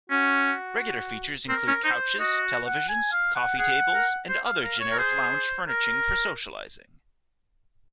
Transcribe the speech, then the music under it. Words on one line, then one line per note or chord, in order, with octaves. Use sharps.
Regular features include couches, televisions, coffee tables, and other generic lounge furniture for socializing.
C#4 F#4
C4 A#4
C#4
D#4 C5
F#4 D#5
F#5
G#5
F5
F#5
G#4 F#5
A#4
C5
F5
A#4 F5
C#5
A#4
G#4 C5
A#4